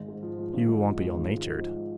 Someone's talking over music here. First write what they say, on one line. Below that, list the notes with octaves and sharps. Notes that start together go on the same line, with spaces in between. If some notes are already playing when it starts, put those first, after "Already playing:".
"You won't be ill-natured?"
Already playing: G#1 G#3
G#2
F3
G#3
G#1
G#2
F3
G#3
G#1
G#2
F3
G#3